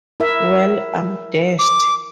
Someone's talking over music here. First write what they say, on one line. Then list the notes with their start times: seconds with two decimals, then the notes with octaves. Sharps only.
Well, I'm dashed.
0.20 E4 A#4 E5
1.59 D6